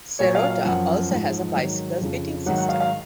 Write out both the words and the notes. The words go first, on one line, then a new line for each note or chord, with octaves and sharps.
Serotta also has a bicycle-fitting system.
A#2 F#3 C#5
F5
F5
F#2 F3 F#5
G#2 F3
G#2 D#3 F#3
F2 C#3 F3
G#2 D#3 F#3 F#5
F#5
F5
F5